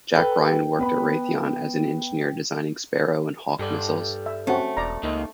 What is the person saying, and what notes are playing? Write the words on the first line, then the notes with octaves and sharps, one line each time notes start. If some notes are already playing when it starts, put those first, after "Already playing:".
Jack Ryan worked at Raytheon as an engineer designing Sparrow and Hawk missiles.
A4 B4 G5
B3 B4 B5
G2 G3 A4 D5
E5
A3 C4 C#4 F#4
E1 D5 A#5
C#2 A#3 D#4